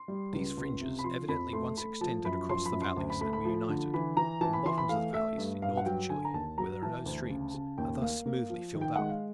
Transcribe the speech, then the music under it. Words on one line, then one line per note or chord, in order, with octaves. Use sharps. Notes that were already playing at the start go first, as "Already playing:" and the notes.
These fringes evidently once extended across the valleys and were united; and the bottoms of the valleys in northern Chile, where there are no streams, are thus smoothly filled up.
Already playing: C6
G3
C#2
C#2
C3
B5
F3 C6
F2 B5
A3 C6
A3 B5
F3 A5
F#2 B5
F3 C6
B5
F#2
C6
D2
B5
A3 B5
B5
F3
D3
E3 B5
E3 A#5
E3 A5
B5
E3 C6
B5
A3 F5
A3 E5
G2
G2 F5
F#5
F#3 G5
D3 G#5
A#5
D#2 A5
F#3 A#5
E3 A5
D2
C#3
C#3
D#2 G5
A#3 F5
A#3
F3
D#3
G5
G#3 F#5
F5